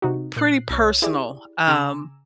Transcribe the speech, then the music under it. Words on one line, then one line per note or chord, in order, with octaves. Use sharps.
pretty personal, um
C3 D#4 F#4
A#2 F#6 C7
C2 C#5
E4 G4 G#4 D5
C#3 G#5 A#5 D6 E6 E7